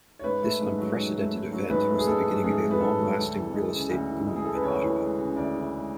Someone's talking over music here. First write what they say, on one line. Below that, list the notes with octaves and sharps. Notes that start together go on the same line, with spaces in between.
This unprecedented event was the beginning of a long-lasting real estate boom in Ottawa.
C#5
G#2 B4
A3
G#2
F#3
G#2
A3
G#2
F#3
G#2 B4
A3
G#4
G#2 A4
F#3
G#2 G#4
A3
B4
G#2 A4
F#3
D2
E3
G#3
C#3
D2
E3
G#3
G#4
C#3 A4
B4
D2 C#5
E3
G#3
C#3
D2 D5
E3
G#3